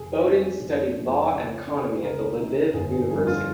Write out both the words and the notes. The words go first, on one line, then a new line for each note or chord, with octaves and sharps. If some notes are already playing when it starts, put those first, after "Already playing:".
Bohdan studied law and economy at the Lviv University.
Already playing: F1 G#4
F2 C3 D#3 G#3 G#4
F1
F2 C3 D#3 G#3
C#2
C3 D#3
C#2 A#4
C3 D#3
G1 G#4
G#4
F2 D#3 G3 G#4
F4